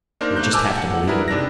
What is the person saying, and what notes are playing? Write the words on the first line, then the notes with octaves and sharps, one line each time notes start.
You'll just have to believe me.
A#3 D4 D#4 A#4 C5
A3 A#3 F#6 G6
G#5 A5 D6 E6 G6
F#5
D4 E4 G#4 A#4 B4
C3 D4 D#4 A#6